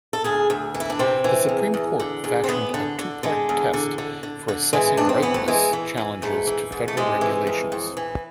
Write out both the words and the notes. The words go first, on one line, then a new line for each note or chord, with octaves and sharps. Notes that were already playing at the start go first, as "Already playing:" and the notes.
The Supreme Court fashioned a two-part test for assessing ripeness challenges to federal regulations.
A4
D2 G#4
D2
E3
E4
D4
C3 C4
E3
E2
E2
D3
E2
C4
E2 B3
D3
D3
D3 G#3
E2
D3
D3
D3
D3
E3 G#3
F2 D4
C4
E3 B3
A3
E3 G#3
E3
E3
G#2 A3
E3
G#2
A3
C3 G#3
E3
F2
F2
E3